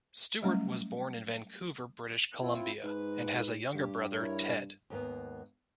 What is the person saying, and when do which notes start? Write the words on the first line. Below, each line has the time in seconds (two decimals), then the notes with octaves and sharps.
Stuart was born in Vancouver, British Columbia, and has a younger brother, Ted.
0.43 F#3 G3 A3 C#4
2.37 C4 E4 F4
2.83 G#2 B4
3.74 G2 G4
4.12 E4 A#4 C#5
4.90 D#2 G#2 A#3 B3